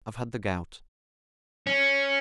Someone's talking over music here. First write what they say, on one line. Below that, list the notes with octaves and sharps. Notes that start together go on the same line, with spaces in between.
I've had the gout.'
C#4